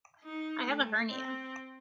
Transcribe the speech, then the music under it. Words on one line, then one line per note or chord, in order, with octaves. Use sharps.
I have a hernia.
D#4
A3
C4